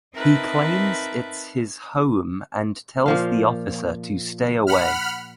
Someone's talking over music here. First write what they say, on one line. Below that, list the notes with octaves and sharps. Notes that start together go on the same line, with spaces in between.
He claims it’s his home and tells the officer to stay away.
C4 D#4 A#4 B4 E5 A5
A#2 F3 F5
F#5 B5 F6